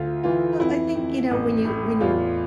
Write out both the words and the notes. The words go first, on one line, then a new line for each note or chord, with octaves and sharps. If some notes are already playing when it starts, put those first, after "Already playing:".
Uh, I think, you know, when you when you
Already playing: D2 F4
E3 F4
F2 E4
F2
A1
A2
E2 F4